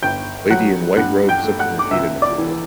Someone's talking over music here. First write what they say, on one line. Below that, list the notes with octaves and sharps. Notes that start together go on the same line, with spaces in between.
Lady in white robe soaking her feet in a pool.
G1 G5 G6
F#3 F#5 F#6
G2 F#5 F#6
G5 G6
A3
F#5 F#6
D6
C#2 E5 E6
D5 D6
E3